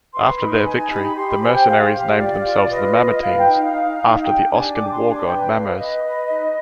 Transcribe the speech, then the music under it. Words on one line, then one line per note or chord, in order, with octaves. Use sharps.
After their victory, the mercenaries named themselves the Mamertines after the Oscan war-god Mamers.
B4 C6
D#4 B5
D#4 G#5
G4 B5
G4 C6
B5
C5 G#5
G5
G4 F5
G4
F4 D5
F4
B4 D#5
F4
B4 F5
G5
D#4
F5
D#4
D#4
G4 G5
D4 G#5
G4 D6
C6
D4
G#5
B4 G5
B4 F5
B4 D#5
B4
D#4